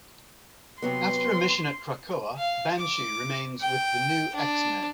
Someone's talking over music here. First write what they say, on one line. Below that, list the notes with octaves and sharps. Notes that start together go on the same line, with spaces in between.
After a mission at Krakoa, Banshee remains with the "New X-Men".
C3 F#3 B3 C6
F5
D6
G5
D4